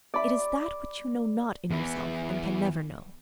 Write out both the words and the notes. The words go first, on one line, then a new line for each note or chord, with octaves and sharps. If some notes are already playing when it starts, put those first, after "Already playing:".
It is that which you know not in yourself and can never know.
D5 B5
E2 E3